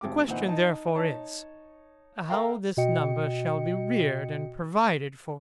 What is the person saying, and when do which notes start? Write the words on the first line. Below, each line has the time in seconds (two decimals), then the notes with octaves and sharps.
The question therefore is, How this number shall be reared, and provided for?
0.01 G#1 G4 D6
0.28 A#2 E3 D#4 C5 F#5
0.48 D#4 A5
0.94 D#4 C#5 A5
2.29 A4 A#4 E5 F5 G5 A#5
2.77 B2 F#4 D#5 G5 C#7